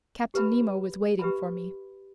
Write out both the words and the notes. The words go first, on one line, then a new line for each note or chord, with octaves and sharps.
Captain Nemo was waiting for me.
G4 B4 E5 B5
G4 B4 E5 B5